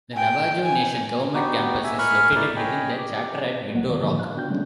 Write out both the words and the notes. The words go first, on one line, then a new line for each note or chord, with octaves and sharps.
The Navajo Nation Government Campus is located within the chapter at Window Rock.
G5 G#5
G#5
B3 D#4 F#4 G4
E5 G#5
A#4 G#5 B5 C#6 F6 F#6
D#4 E4 B4 D5
C#5 D#5 G5 G#5 B5
G4
C2 F#3 A#3 B3 F#5
D#2 D#3 D5
A2 D3 D#3 F3 A#3 D#4
F5 F#6
B3 D4 F#4 G5 G6
C#3 F#3 G#3 A3 C#4 D4